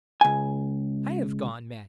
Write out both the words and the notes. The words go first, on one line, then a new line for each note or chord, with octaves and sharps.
I have gone mad....
C#2 G#5